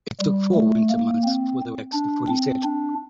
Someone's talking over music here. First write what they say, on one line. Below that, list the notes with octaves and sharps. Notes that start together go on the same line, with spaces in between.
It took four winter months for the wax to fully set.
G3
A3
A#3
C4
D4
C4
D4